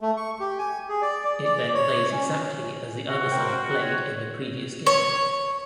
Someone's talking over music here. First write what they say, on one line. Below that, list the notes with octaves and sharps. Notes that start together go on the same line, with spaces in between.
It then plays exactly as the other side played in the previous game.
A3
C#6
G4
G#5
G#4
D5
D5
D5
C#5
C#4
F#4
A#4 C5 G5
C#5
C#5